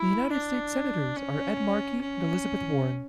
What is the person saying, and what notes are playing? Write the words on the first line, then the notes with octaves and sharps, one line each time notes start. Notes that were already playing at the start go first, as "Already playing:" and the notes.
The United States Senators are Ed Markey and Elizabeth Warren.
Already playing: E4
D4
C#4
C#4